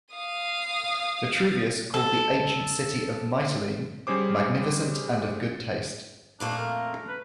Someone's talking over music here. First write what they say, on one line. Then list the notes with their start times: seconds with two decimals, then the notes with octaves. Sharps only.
Vitruvius called the ancient city of Mytilene "magnificent and of good taste".
0.15 F5 D#6
1.94 A4
4.07 G3 C#4 G#4 C5 D6
6.40 F2 A#2 A3 D4
6.58 A#4
7.08 B4